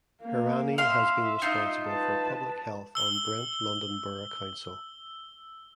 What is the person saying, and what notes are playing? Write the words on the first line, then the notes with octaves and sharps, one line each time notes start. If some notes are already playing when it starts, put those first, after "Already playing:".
Hirani has been responsible for public health on Brent London Borough Council.
A#3
E5 F5 C6
D#4 F4
B4 A5
E6 G7